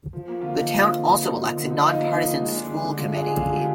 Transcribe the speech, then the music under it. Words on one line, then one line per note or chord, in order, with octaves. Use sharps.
The town also elects a non-partisan school committee.
F3
A#3
D3 F4
D#4
F3
A#3
D3
D#4
F3
A#3
D3
D#4
F3 F4
D#4
A#3
D3 D#4
D#4
G#3
D4
D3
D3
G#3 F4
D4 G#4
D3
F4
D3
G#4
G#3 G4